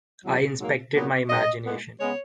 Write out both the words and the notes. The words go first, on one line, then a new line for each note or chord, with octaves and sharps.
I inspected my imagination.
E2 C#3 F#3
G#2 F#3 A#3
A#2 F#3 B3
G#2 F#3 B3 D#5
A#2 G#3 B3
C#3 G#3 B3 C#5